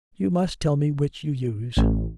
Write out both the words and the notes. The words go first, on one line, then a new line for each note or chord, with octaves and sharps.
'You must tell me which you use.'
A1